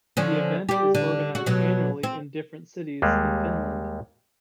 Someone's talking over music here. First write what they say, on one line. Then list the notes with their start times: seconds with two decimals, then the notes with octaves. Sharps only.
The event is organised annually in different cities in Finland.
0.17 D3 F3 C#4
0.69 G3 G4
0.95 D3
1.35 F#4
1.46 B2 F#3
2.03 C4
3.02 D#2 G3 G#3